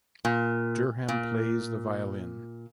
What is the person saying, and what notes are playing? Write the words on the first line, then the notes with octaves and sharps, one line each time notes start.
Derham plays the violin.
A#2
A#2